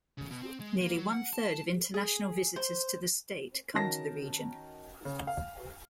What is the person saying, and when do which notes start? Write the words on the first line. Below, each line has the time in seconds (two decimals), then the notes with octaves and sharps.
Nearly one third of international visitors to the state come to the region.
0.18 C#3
0.31 B2
0.42 C4
0.60 G#3
0.81 A#3
0.97 F#3
1.13 F#5
1.33 A5
1.51 A5
1.94 G#4
2.56 C5
3.74 D#3 C#4 F#4 A#4 A5 A#6
5.05 C#3
5.27 F5